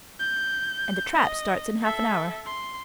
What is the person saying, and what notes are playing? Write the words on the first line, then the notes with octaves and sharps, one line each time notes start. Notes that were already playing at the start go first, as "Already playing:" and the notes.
"And the trap starts in half an hour."
G6
D#5
A4 E5
C6